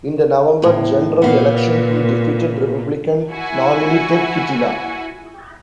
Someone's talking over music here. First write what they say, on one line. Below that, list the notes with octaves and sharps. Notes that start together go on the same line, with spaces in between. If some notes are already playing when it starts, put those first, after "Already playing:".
In the November general election he defeated Republican nominee Ted Kittila.
E2 A2
A#2 B3 F5
E4 F#4 G#5